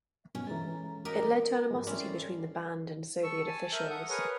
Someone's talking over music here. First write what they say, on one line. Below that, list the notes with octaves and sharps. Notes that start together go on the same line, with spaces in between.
It led to animosity between the band and Soviet officials.
G2 B2 C#4 G#5
E3 G#3 A4 A#5
F#4 G4 A#4 D#5 A#5 D6
G#2 F3 G#3
C4 C#4 E4 D5
G3 A4
A4 C#6 E6
G#5 A5
A#4 E5 G6
A4 F#5 D#6
G#4 A#4 B4 C#5 D#6